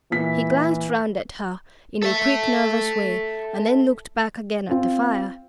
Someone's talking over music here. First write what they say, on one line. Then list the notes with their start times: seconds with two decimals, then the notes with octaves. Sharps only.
He glanced round at her in a quick nervous way, and then looked back again at the fire.
0.11 A#2 E3 B6
2.03 A4 E5
4.70 C4 F4